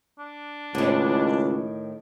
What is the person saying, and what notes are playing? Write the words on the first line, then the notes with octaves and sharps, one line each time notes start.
It is.
D4
C#2 A2 D#3